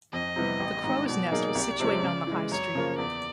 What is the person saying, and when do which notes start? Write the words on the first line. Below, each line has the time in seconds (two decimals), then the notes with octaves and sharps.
The Crows Nest was situated on the High Street.
0.13 F2 D#5
0.36 C3 E3 G3 B3
0.60 A1
0.84 G#2 D#3
1.08 B2 D5
1.31 F#3 A#3 D#4 G#4
1.55 C2
1.80 C3 F3 G#3 C#4
2.03 C#3
2.27 E3 G#3
2.51 F#2 C#5
2.75 C#3 F3 A#3
2.98 E2 D5